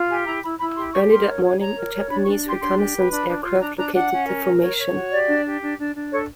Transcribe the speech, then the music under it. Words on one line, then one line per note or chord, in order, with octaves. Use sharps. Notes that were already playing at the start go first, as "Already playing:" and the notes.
Early that morning, a Japanese reconnaissance aircraft located the formation.
Already playing: F4
G4 G#5
E4 A#5
E4 B5
E4 B5
G4 C6
G4 C#6
A#4 C6
C#5
C#5
C#5 A#5
A#4
C#5
D4 B5
C#6
D4
G4 C6
D4 C6
G4
B4
D4 B5
D4
F4
D4 A#5
D4 A#5
D4 F#5
C#4
A#4
A#4
C#5
C#5
F#4
G4 D5
D4
G4
D4
D4
D4
A4 C#5